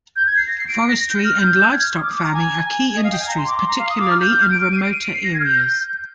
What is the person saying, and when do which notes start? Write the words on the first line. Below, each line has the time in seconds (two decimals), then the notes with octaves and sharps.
Forestry and livestock farming are key industries, particularly in remoter areas.
0.16 G6
0.26 G#6
0.37 C7
0.47 A#6
0.58 C7
0.68 D7
0.89 A#6
0.99 A#6
1.09 G6
1.25 F6
1.41 G6
1.72 G#6
1.82 F6
1.97 D#6
2.02 D6
2.13 D6
2.23 A#5
2.34 G#5
2.65 G#5
2.96 D#5
3.04 F5
3.12 G5
3.19 G#5
3.27 A#5
3.37 C6
3.48 D6
3.58 C6
3.68 A#5
3.79 F5
3.90 D#6
3.99 D6
4.11 F6
4.20 G6
4.31 G6
4.41 F6
4.52 D7
4.62 D7
4.72 D#7
4.78 C7
4.83 D7
4.93 D#7
5.03 D7
5.14 C7
5.24 A#6
5.34 G#6
5.40 F6
5.45 G6